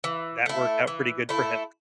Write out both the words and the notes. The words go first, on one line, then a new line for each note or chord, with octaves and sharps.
that worked out pretty good for him.
E3
A3 E4
E3
A3 E4